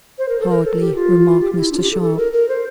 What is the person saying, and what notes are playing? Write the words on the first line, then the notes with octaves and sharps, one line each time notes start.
"Hardly," remarked Mr. Sharp.
C5
A#4
A4
A#4
A4
G4
F4
G4
F4
E4
D4
F4
G4
A4
A4
A#4
A#4
C5